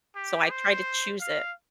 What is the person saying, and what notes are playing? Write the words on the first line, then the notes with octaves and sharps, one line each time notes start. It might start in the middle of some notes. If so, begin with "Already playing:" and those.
so, I try to choose it.
G4
C5
F5